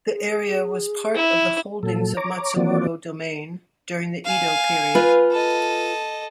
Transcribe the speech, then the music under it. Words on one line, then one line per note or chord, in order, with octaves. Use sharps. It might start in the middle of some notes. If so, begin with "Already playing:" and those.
The area was part of the holdings of Matsumoto Domain during the Edo period.
G#4
E4
A#2 F#3 A4
C#5 A#5 D6
E3 F3 A#3 C4 F#4 D5
F5 G#5
F4 B4
A4 D#5